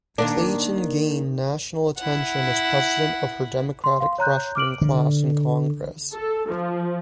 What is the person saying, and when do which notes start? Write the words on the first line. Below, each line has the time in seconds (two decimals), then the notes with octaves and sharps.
Clayton gained national attention as president of her Democratic freshman class in Congress.
0.18 D#3 A#3 D4
1.98 E4 F#5
3.84 C6
4.00 F5 C6
4.18 C#5 A#5 F#6 G6
4.55 D6 F6 D7 F#7
4.81 D3
6.12 A4
6.48 F3